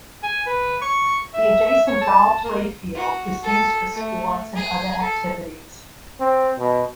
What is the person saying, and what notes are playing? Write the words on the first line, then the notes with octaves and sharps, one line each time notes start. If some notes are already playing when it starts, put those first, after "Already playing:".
The adjacent Dahl Playfield is used for sports and other activities.
G#5
B4
C#6
E5
E5
C#5
A5
A#3
F#4
A4
A3
G#4
A4
C4
B2